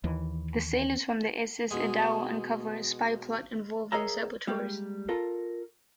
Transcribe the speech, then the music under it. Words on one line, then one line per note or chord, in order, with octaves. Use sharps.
The sailors from the S. S. Idaho uncover a spy plot involving saboteurs.
D#2 E3
B2 G#3
G#4 A#4 C#5 D#5 E5 A#5
G3 G#3 A#3 G4
F4 A4 A#4